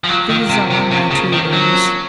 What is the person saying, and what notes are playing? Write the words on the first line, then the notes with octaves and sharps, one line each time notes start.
These are my two rooms.
F3
F#3 F4
D#3
A#3
C3
F3
C3
C3 C#4
C#3
A#3
D#3
F3
F#3
C#4